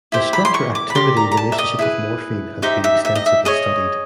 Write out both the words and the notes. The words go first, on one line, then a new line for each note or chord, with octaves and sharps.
The structure-activity relationship of morphine has been extensively studied.
E4 G4 C5
B5
C6
C#6
D6
B5
G4 A#4 D5 C6
A#5
A#5
A5
E5
D#5
E4 G#4 B4
D#4 G4 C5 E5
E5
E5
D#5
E5
G#4 C#5 D#5